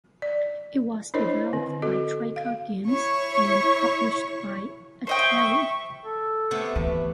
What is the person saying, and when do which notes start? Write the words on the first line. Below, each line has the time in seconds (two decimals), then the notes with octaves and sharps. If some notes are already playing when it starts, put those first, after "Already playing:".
It was developed by Troika Games and published by Atari.
0.22 D5
1.14 D4 E4 A#4 C5 C#5 D#5
1.53 D3 C4
1.82 F#4 A4 D#5
2.36 F5
2.87 E4 C#5 C#6
5.07 C5 D#5 E5 G5 C#6
6.04 A4
6.51 C3 A3 B3
6.75 D2 E3 B4